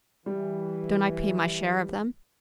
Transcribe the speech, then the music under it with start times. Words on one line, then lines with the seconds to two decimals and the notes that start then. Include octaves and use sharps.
"Don't I pay my share of them?"
0.26 E3 G3